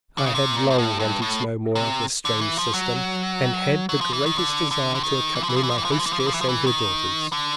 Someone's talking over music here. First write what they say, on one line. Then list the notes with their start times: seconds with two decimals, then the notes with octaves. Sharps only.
I had long wanted to know more of this strange system, and had the greatest desire to accompany my hostess and her daughters.
0.18 D3
0.26 C#3
0.35 C3
0.56 A#2
0.70 G#2
0.78 A2
0.99 G2
1.22 A2
1.75 C3
2.25 D3
2.41 E3
2.58 F3
2.74 F#3
3.89 F#3
4.01 F3
4.13 E3
4.26 D#3
4.38 D3
4.71 D3
4.95 D3
5.03 D#3
5.35 E3
5.43 F3
5.49 E3
5.56 F3
5.63 E3
5.70 F3
5.78 E3
5.85 F3
5.92 E3
5.99 F3
6.06 E3
6.13 F3
6.20 E3
6.27 F3
6.34 E3
6.41 F3
6.48 E3
6.67 D#3
7.32 D3